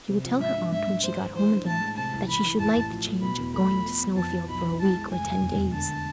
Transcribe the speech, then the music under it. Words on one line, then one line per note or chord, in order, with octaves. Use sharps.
She would tell her aunt when she got home again that she should like the change of going to Snowfield for a week or ten days.
C3
F3
G#2 E5
D4
G#2 E5
G#2
G#3 C5
G#3
E3 C5
D4
A2 A5
G#3
C3 A5
C2
E3 B5
E3
A1 A5
A1
F3
A3
B2 B5
E2
A3 B5
F3
B3
B3
F2 A5
F2
B1 B5
B3
E4 A5
G#3
F1 G#5
F1
E1
E1
D3 A5
D3